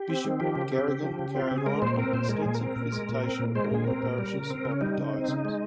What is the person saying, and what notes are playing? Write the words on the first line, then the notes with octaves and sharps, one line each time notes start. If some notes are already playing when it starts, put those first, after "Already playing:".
Bishop Garrigan carried on an extensive visitation of all the parishes of the diocese.
Already playing: G4
C4
D#3
F3 G4
C#3
C4
C#3
F3
C#3
C4 F4
C#3 G4
G#4
G#3 A#4
A#2 C5
C4 A#4
A#2 C5
G#3 A#4
A#2 G#4
A#4
C4
A#2
G#3
A#2
C4
A#2
G#3 C5
A#4
A#2 G#4
C4 A#4
A#2
G3
C#3
C4
C#3
C#4
G3 D#4
C#3
C4
C#3
G#3